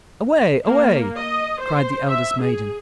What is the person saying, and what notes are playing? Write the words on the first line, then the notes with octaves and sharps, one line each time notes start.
"Away! away!" cried the eldest maiden.
A#3
D#5
C5
E5
G#4